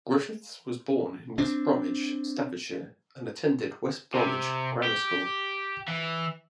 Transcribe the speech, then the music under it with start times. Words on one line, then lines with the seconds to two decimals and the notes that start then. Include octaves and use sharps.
Griffiths was born in West Bromwich, Staffordshire, and attended West Bromwich Grammar School.
1.38 C4 D4
4.14 C3
4.84 G4
5.88 E3